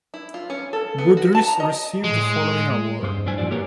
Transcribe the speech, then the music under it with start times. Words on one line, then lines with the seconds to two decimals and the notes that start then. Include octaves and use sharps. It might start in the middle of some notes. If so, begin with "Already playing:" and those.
Budrys received the following awards.
0.14 E4
0.34 F4
0.50 C#4
0.73 A4
0.98 B3
1.17 F#4
1.35 A5
1.48 A#5
1.60 D#5
2.04 A2 G#3
3.03 G2 C5
3.26 F#2 D4 E4 G#5
3.38 A#2 D#3 F3 F#4 D5
3.51 A#3 G4 A#4 B4 C#5